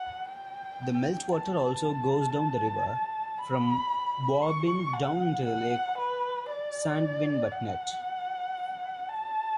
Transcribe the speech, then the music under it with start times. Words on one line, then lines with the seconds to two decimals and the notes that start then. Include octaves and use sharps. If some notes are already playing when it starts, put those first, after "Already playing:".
The melt-water also goes down the river from Buarbreen down into the lake Sandvinvatnet.
Already playing: F#5
0.28 G5
1.32 A5
3.38 B5
4.42 C#6
4.94 F#5
5.45 F#5
5.98 B4
6.49 D5
7.53 F#5
9.08 A5